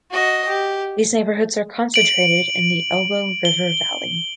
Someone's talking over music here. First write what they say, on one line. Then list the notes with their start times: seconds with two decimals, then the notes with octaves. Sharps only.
These neighbourhoods are concentrated in the Elbow River valley.
0.11 F#4 D#5
0.48 G4
1.94 D7 F#7
3.45 G7